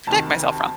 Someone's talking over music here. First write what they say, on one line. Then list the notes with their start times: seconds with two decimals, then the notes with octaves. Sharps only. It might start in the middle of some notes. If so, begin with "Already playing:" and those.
protect myself from.
0.07 D2 C3 D#3 A5